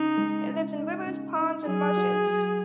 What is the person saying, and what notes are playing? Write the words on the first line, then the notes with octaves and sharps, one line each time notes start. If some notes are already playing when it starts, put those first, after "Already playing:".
It lives in rivers, ponds and marshes.
Already playing: C#3 D#4
G#3
C#3
D#4
C#3
D#4
F#3 G#4
F#4
F#3